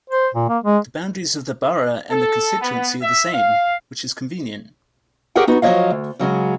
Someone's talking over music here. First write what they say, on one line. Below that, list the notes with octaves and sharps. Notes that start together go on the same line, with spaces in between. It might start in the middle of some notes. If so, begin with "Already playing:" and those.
The boundaries of the borough and the constituency are the same, which is convenient.
C5
A#2
A#3
G#3
A4
B3
E5
F5
G4 G#4 A#4 C#5 F#5 G5
B3 D#4 F#4
F3 F#3 E4 C#5 D#5 F5
D2
C#3 F#3 G#3 C#4